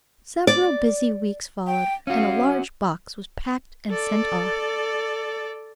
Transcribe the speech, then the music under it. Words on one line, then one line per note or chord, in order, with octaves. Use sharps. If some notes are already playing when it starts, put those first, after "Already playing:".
Several busy weeks followed, and a large box was packed and sent off.
D5
G5
C#4 F#4 F5
A4 D5